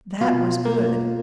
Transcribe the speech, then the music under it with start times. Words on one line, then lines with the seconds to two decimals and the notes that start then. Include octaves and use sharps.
That was good.
0.21 B2 F4
0.65 A#3